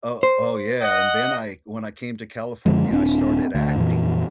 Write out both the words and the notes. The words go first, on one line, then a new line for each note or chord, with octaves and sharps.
Oh oh yeah. And then I when I came to California, I started acting.
C5
D#5 F#5
F#2 D3 F3 G#3
D#1 C4 D4
D2
F2 A#2 E3